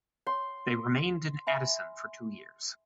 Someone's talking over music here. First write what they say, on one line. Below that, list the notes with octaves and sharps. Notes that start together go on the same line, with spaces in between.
They remained in Addison for two years.
C#5 C6
E5 G#5 B5